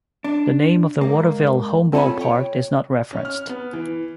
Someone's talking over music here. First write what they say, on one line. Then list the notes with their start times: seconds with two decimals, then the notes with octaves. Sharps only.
The name of the Waterville home ballpark is not referenced.
0.24 D4
1.01 G#2 A#3
1.93 C4 F4 A4 C#5 G#5 B5
2.21 C#5 G5
3.13 C#4
3.25 F6
3.49 B3
3.73 E3